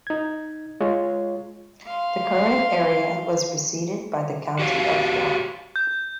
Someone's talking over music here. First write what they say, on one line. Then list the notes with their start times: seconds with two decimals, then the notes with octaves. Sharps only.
The current area was preceded by the County of Foix.
0.07 D#4 G#6
0.81 G#3 F4 C#5
1.86 F5 C6
4.59 F#4 G4 C#5 F5
5.76 G6